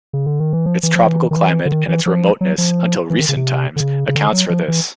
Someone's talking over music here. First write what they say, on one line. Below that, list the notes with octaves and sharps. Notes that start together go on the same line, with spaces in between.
Its tropical climate and its remoteness until recent times accounts for this.
C#3
D3
D#3
E3
F3
E3
F3
E3
D#3
E3
D3
D#3
E3
F3
F#3
F3
E3
D#3
C#3
C3
D3
C#3
C#3
D3
F#3
F3
E3